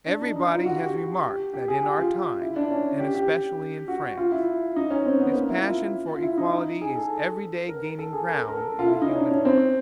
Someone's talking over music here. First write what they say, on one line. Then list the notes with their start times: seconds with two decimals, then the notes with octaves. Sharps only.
Everybody has remarked that in our time, and especially in France, this passion for equality is every day gaining ground in the human heart.
0.06 D4
0.22 D#4
0.36 D#4
0.51 F4
0.66 F#4
0.77 G4
0.89 F#4
1.24 G4
1.54 G4
1.68 G#4
1.83 G4
1.98 F4
2.41 E4
2.56 D4
2.70 C#4
3.00 G4
3.15 G4
3.88 F#4
4.17 F4
4.32 E4
4.76 D#4
4.90 C#4
5.06 C4
5.19 B3
5.34 A#3
5.50 E4
5.64 F4
6.15 F4
6.23 E4
6.38 D#4
6.81 G#4
6.95 A4
7.69 A#4
7.99 A4
8.13 G#4
8.28 A#4
8.38 A4
8.48 A#4
8.57 A4
8.79 F4
8.87 E4
9.02 D#4
9.09 C#4
9.16 D4
9.31 C#4
9.45 C4